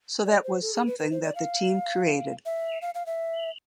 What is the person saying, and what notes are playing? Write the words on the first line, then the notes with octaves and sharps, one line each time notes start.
So that was something that the team created.
D5
C5
A4
G#4
B4
B4
C5
D5
F5
E5
F5
F5
E5